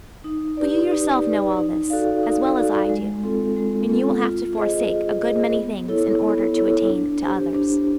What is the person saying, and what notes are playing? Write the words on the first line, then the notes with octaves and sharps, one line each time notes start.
But you yourself know all this as well as I do, and you will have to forsake a good many things in order to attain to others.
D#4
G4 B4 D5
D#4
G4 B4 D5
D#4
F#4 A4 D5 F5
D#4
F#4 A4 D5 F5
G#3
C4 F4 A4
G#3
C4 F4 A4
F4
G#4 C5 D#5
F4
G#4 C5 D#5
B3
E4 A4 C#5
B3
E4 A4 C#5
D4
G4 C5
D4